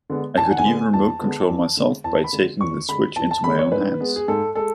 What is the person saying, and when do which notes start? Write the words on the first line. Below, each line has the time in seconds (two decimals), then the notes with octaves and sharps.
I could even remote-control myself by taking the switch into my own hands.
0.10 D3 G#3 B3
0.37 E2 A5
0.45 G#5
0.51 F#5
0.58 G#5
0.65 D3 G#3 B3
0.93 E2 A5
1.21 D3 G#3 B3
1.49 E2
1.77 D3 G#3
2.04 E2 A5
2.24 B5
2.33 D3 G#3
2.61 E2 C#6
2.88 D3 G#3 B5
3.16 E2 A5
3.31 A5
3.44 D3 G#3 B5
3.59 C#5
3.72 G#2 B4
4.00 G#3 B3
4.16 G#4
4.28 G#2 A4
4.55 G#3 A4